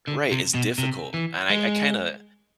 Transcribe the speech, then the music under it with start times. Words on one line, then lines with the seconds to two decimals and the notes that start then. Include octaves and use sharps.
Right, it's difficult, and I I kinda
0.07 D3
0.31 C3
0.54 B2
0.78 C3
1.14 E3
1.50 G#3